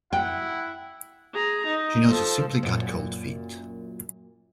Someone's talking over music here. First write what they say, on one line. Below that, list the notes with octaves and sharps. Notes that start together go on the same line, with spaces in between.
She knows you simply got cold feet.
E4 F#5 G5
G#4 A#5
D#4
F3 A4
F#2 A#2